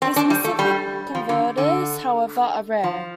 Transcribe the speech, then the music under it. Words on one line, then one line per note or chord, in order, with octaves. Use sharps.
These specific converters, however, are rare.
C4
D4
G3
A3
G3
F3
D3
D3
F3